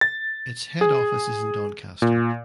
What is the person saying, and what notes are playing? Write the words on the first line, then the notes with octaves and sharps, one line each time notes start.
Its head office is in Doncaster.
A6
G#4
A#2